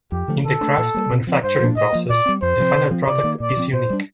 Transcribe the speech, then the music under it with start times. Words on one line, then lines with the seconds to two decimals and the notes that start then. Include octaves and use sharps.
In the craft manufacturing process, the final product is unique.
0.12 F2 G4
0.28 D3 F3 A3
0.45 D3 A4
0.61 A3 D4
0.78 A#2
0.94 G3 A#3
1.11 C3
1.27 F3 C4
1.44 G2 C5
1.60 F3 A#3 D4
1.76 A2 D#5
1.93 F3 A#3
2.09 A#2 D5
2.26 G3 C4
2.42 F2 C5
2.58 C3 F3 C4
2.75 C3
2.91 F3 C4
3.07 C3 D5
3.24 D#3 A#3
3.40 A#2 D5
3.57 F3 C4
3.73 A#2 C5
3.90 G3 D4